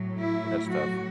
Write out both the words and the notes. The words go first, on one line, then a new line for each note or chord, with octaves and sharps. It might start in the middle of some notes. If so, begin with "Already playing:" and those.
That's tough.
Already playing: A2 F#3
E4
F#4